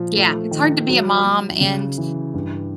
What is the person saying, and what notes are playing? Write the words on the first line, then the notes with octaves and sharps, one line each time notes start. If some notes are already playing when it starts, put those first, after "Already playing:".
Yeah, it's hard to be a mom and
Already playing: A#2 F3
A3
D#3
F#3
F#3
C#3
E3
G2